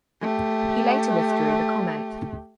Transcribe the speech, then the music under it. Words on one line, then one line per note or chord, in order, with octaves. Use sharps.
He later withdrew the comment.
A3 G4